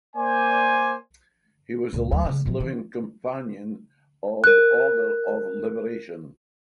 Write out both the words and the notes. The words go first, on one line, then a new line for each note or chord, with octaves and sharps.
He was the last living Companion of the Order of Liberation.
A#3 C5 D5 G#5
C#2 A#2
D2 F#3
C#3 G3
A#2 F3
D3 E3
A#4 F#6